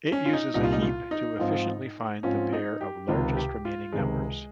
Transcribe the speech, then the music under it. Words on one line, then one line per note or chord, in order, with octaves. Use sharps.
It uses a heap to efficiently find the pair of largest remaining numbers.
C#4
F4
D#4
C2 A#2 G3 D#4
F4
D#4
F4
D#4
G#2 F3 C4 F4
G#2 F3 C4 C#4 F4
D#4
G4
C#2 C3 D#3 F4
G4
F4
C#2 C3 D#3 G#3